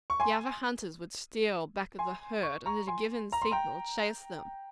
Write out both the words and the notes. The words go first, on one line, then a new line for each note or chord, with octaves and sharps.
The other hunters would steal back of the herd, and at a given signal chase them.
C#6
G#5 C6
G#5 C6
C#6
A#5 C#6
G#5 C6
A#5
C6
G5 A#5